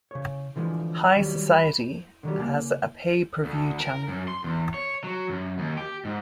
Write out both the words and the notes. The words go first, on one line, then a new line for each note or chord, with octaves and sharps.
"High Society" has a Pay Per View channel.
C#3 C#5
D3 E3 F3 G#3
D#3 F#3 G3
B5
D3 D#3 F#3 G3
C#3 G#3 A#3
D2
A#4
F#2
C6
E2
C#5
F#3
F#2
D#2
G4
G#2